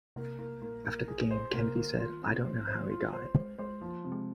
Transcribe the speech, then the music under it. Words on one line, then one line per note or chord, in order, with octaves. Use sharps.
After the game Kennedy said, I don't know how he got it.
C3 A#3
A#3
A#2 A#3
A#3
C3
A#2 G#4
C3 C5
C3 A#3
D3 A#3
D#3 F4
C4
D3
C5
F3
C5
G3 F4
G#3 C5
G#3 C5
G#3 C5
F3 A#3
C3 G3
G#3